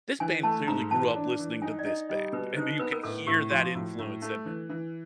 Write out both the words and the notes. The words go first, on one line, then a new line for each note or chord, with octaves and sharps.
this band clearly grew up listening to this band," and you can hear that influence in it.
E3 G#5
A3 A5
G#2 A#5
E3 A5
D4
E3
D#4 G#5
D5
D#4 D#5
G3 D#5
B2 B4
D#4 C5
B3 B4
A#4
A2 A4
A2 G4
F3 F#4
A2
A2
A3
E3
E3